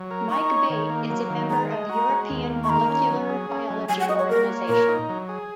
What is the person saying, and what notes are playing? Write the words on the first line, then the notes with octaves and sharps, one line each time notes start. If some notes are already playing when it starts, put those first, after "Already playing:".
Mike Bate is a member of European Molecular Biology Organization.
Already playing: F#3
A#4
D#4 C#6
C#5
D#3
A#3
F#3
D#3
G#3 A#5
D#5
F#4 A#5
G#3
D#2
A#3
C#6
D#3 A#5
C#4
F#3
G#4
C#4
F#3
F#3 G#5
F#5
F#4 D#5
C#5
A#3 A#4
C#5
A#2 A#4
D#4
F#3
G#4